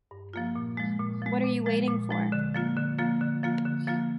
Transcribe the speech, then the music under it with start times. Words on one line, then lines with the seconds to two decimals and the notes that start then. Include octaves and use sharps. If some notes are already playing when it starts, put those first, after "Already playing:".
What You Waiting For?
0.11 G2
0.33 F3 A#3 F4
0.56 A#2
0.77 F3 G#3
1.00 A#2
1.22 F3 G#3
1.44 A#2
1.66 F3 G#3
1.88 A#2
2.10 F3 G#3
2.32 D3
2.55 F3 A#3 F4
2.77 D3
2.98 F3 A#3 F4
3.21 D3
3.43 F3 A#3 F4
3.65 D3
3.87 F3 A#3 F4